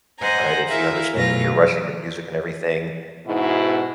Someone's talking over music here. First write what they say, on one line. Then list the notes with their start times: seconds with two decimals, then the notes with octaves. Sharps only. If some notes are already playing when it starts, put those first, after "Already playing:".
right? If you understand that you're rushing the music and everything.
0.20 C5 D#5 F#5 G#5 A#5
0.67 E4 G#4 A#4 E5 F5
1.13 F#2 B2 F#3 A3 F4 A#6
3.27 G#2 B2 E4 F#4